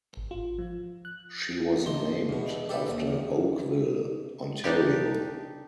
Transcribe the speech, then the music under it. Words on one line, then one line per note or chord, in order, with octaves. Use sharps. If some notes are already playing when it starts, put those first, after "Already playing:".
She was named after Oakville, Ontario.
G#1
F4
F3
F#6
A1 D#4 C6
E2 B2
G4 A4 B4
D#2
E2
D4 D#4 G4